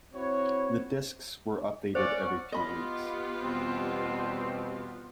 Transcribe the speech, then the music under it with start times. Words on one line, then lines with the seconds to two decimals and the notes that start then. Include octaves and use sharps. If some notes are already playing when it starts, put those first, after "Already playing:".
The discs were updated every few weeks.
0.14 C4 E4 F#4 C#5
1.95 C#4 C5 D5 F#5
2.52 B3 F4 G4 D#5 B5
3.42 E2 B2 G3 C4